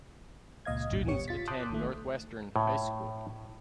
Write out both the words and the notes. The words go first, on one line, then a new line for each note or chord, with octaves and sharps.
Students attend Northwestern High School.
C#2 A#2 D#5 F5 G#6
G#1 D2 G2 A#2
G#1 B3 G4 C#5 C#7
F4 A6 B6
A5 C6 D6 D#6 F#6 G6
A#1 D#3 A3
A2